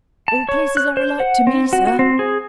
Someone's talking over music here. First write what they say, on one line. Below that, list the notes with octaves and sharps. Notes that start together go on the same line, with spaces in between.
All places are alike to me, sir.
A5
C#5
F#6
C5
F#5
C4
F#4
F#4
C4
G#4